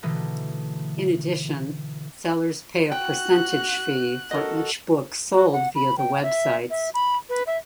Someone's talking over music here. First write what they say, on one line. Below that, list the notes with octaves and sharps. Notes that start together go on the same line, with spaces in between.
In addition, sellers pay a percentage fee for each book sold via the websites.
B2 D3 E3 A3 D#4
F#4 G5 F#6
F#4 A4 A#4 D#5
F#4
F#5
B5
G5
E5
E5
B5
B4
E5